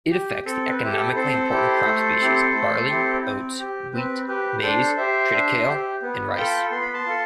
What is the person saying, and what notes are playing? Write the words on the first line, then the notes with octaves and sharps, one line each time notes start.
It affects the economically important crop species barley, oats, wheat, maize, triticale and rice.
G4
C4 A4
B4
E4 G4
A4
C4 A4 C5
E4 G4
A3
C4 E4 G4
A3
C4 E4 G4
C4
G4
C4 B4
G4 B4
D4 A4 C5
G4 C5 E5
D4
G4
B3
F4 A4 G5 B5
B3 C6
B5
A5 C6
F4 A4